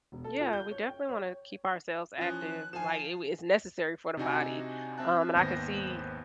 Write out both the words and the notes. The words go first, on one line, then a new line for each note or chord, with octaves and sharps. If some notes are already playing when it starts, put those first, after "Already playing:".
Yeah, we definitely wanna keep ourselves active, like, i w it's necessary for the body, um, and I could see
E1
A4
F4
G6
C#5
G5
C#5
E3 F3 C#4 F4 F#6
F3 F5 G#5 E7
C3 D4 D#4 F#4 G#5
C4 E5 A5 F#6
G#1 D#2 B3 B4 C5 A#6